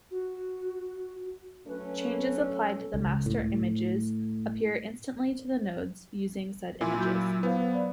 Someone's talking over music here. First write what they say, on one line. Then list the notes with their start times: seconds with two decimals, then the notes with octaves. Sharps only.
Changes applied to the master images appear instantly to the nodes using said images.
0.11 F#4
1.67 F#3 A3 C#4 B4
2.37 A4
2.94 C#2
3.26 A2
6.81 A#2 E4 G#5 C6 D6
6.96 F#3 F#4 G6
7.43 B3 B4 C5 F5
7.72 D5 B5